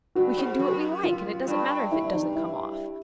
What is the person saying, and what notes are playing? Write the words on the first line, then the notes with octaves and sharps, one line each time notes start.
We can do what we like, and it doesn't matter if it doesn't come off.
G2 F#4
G#2
F#2
F4
G2
E4
D#4
E4